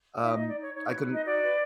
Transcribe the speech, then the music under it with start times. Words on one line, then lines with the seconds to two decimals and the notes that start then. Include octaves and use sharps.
um I couldn't
0.21 D#4 E5
0.34 D#5
0.39 D#4
0.48 D5
0.56 D#4 C#5
0.73 D#4 C#5
0.86 C#5
0.90 B4
1.08 D#4 D#5
1.25 F#4 D5
1.42 B4